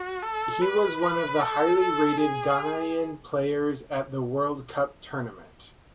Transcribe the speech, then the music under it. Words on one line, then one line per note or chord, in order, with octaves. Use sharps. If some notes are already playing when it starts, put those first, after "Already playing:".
He was one of the highly rated Ghanaian players at the World Cup tournament.
Already playing: F#4
A4
B4
B4
A4
A4
G#4